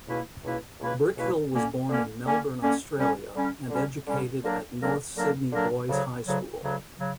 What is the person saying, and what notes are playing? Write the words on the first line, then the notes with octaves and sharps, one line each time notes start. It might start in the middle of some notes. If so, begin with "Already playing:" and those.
Brickhill was born in Melbourne, Australia and educated at North Sydney Boys High School.
C#2 B2 A#3 E4 B4
C#2 B2 A#3 E4 B4
C#2 B2 A#3 E4 B4
C#2 B2 A#3 E4 B4
D3 A#3 C#4
D3 A#3 C#4
D3 A#3 C#4
D3 A#3 C#4
D3 G3 C#4
D3 G3 C#4
D3 G3 C#4
D3 G3 C#4
D3 F#3 A#3 D4 A#4
D3 F#3 A#3 D4 A#4
D3 F#3 A#3 D4 A#4
D3 F#3 A#3 D4 A#4
D2 C#3 F#3
D2 C#3 F#3
D2 C#3 F#3
C#3 F#3